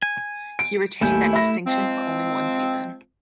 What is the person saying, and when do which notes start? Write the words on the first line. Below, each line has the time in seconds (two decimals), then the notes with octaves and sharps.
He retained that distinction for only one season.
0.02 G#5
0.59 D7
1.01 D#2 A3 E4 G#5 G6
1.33 E5 B5 A#6
1.66 F3 G#3 C4